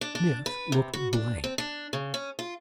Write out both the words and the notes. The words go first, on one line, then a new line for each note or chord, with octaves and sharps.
Smith looked blank.
D4
D4
B4
C3
F#4
D4
C4
D4
C#3
C#4
F4